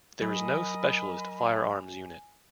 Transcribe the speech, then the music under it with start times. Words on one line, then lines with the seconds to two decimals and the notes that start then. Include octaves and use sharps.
There is no specialist firearms unit.
0.21 F#3 A#4 D#5 G#5 B5